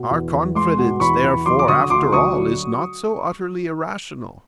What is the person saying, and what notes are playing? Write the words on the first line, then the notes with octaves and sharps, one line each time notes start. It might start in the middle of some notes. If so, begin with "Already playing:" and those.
Our confidence, therefore, after all is not so utterly irrational.
Already playing: B2
E2
E2
G#3 C6 D6
B2
E2 B5 C#6
E2
F#3 C6 D6
D6
D3 C#6 D#6
D2 C6 D6
D2 C#6 D#6
F#3